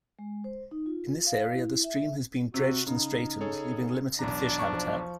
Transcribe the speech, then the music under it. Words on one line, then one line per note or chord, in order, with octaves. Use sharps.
In this area the stream has been dredged and straightened leaving limited fish habitat.
G#3
C5
D#4
F4
F5
E4
E5
C3 F#4
C#3 D#4
G#4 A4 C#5
B1 E2 D4 A#5
F3 C#6